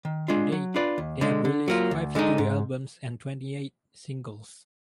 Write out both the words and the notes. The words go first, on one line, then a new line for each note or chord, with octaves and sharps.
To date, they have released five studio albums and twenty-eight singles.
D#3
G#3 D4 F4
F#3
D4 F4 B4 D5
D#2
D3 G#3
D3
F#3 A#3 F4
D2
D3 G#3 D#4
G#2